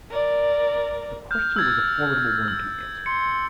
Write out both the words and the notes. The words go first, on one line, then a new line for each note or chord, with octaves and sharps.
The question was a formidable one to answer.
A#4 D5
F6 G6
E6 G#6 A6
E6
C6 C#7